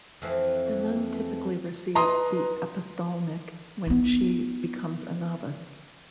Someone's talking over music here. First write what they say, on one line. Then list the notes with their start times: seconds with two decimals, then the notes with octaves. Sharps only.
The nun typically receives the apostolnik when she becomes a novice.
0.22 F2 E3 C4
1.95 B4 D#5 A#5 C6 D#6
3.87 B3 D#4